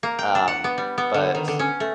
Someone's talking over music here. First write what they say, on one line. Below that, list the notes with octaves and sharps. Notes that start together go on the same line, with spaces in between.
um, but,
A#3
G5
D4
F#5
B3
G3
B3
D3
D#3
D3
C#4
A3